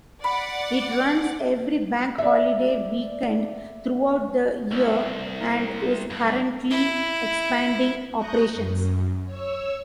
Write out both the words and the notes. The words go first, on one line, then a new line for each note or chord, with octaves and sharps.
It runs every bank holiday weekend throughout the year and is currently expanding operations.
D5 F#5 B5
D5 E5
C2
G2
E4
A#5 C#6 D#6 F#6 G6 A#6
F#2
C#5 E6